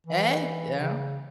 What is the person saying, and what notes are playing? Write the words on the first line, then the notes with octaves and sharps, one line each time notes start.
Hey, yeah.
E3
C#3